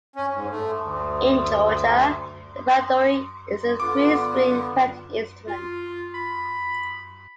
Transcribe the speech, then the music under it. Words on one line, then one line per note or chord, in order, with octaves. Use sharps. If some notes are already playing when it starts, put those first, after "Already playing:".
In Georgia the "panduri" is a three-string fretted instrument.
C#4
G#2
A3
D2
D3 B3 F4 D6
F4
B5